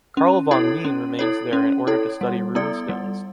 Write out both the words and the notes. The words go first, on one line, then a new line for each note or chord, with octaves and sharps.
Carl Von Line remains there in order to study runestones.
C#4
E4 A4 C#5
C#4
E4 A4 C#5
C#4
E4 A4 C#5
G3
B3 E4 A4 D5
G3